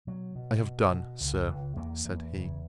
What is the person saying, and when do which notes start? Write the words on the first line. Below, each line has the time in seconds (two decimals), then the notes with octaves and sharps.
I have done, Sir, said he.
0.07 B2 F#3
0.35 B2
0.64 B2
0.92 B2
1.21 C#2
1.49 C#2
1.77 E2 A#3
2.05 E2
2.33 C#3